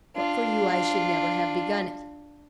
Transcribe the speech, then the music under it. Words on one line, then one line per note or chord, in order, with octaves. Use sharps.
But for you I should never have begun it.
D4 F4